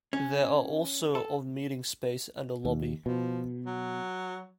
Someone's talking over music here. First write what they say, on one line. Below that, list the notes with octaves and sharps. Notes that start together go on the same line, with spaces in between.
There are also of meeting space and a lobby.
C#4
A4
D#2
B2 F3
F#3